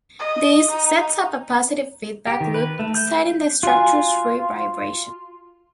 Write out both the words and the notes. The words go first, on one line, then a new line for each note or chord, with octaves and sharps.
This sets up a positive feedback loop exciting the structure's free vibration.
D#5
D#4
G4
D#3
B4
A3
G6
F4 F#4 G#5